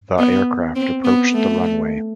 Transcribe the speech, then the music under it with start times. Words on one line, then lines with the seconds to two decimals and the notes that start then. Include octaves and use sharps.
The aircraft approached the runway.
0.18 B3
0.76 C4
1.04 B3
1.33 A3